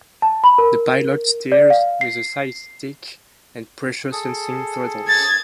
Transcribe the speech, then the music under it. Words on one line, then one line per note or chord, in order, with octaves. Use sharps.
The pilot steers with a side-stick and pressure-sensing throttles.
A5
B5
A#4
D5
F5
C7
G#4 A4
G#6 A6